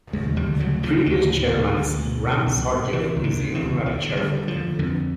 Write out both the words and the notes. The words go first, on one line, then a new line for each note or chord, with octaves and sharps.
Previous chairman Ram Sardjoe is the honorary chairman.
D2 G#3
D2 G3
C#3 F#3
C#3 F3
D2 D#3
D2
D3
D2
B2
B2
C2
B2
C3 E3
C#2
D3
C3
E3
C#2
D3
D3
G3
D3
F3
D3
F2 D3